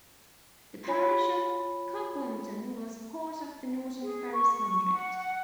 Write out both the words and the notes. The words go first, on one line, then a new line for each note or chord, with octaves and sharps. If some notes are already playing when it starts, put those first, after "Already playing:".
The parish of Cucklington was part of the Norton Ferris Hundred.
F4 C#5 G#5 B5
G#4
C#6
F#5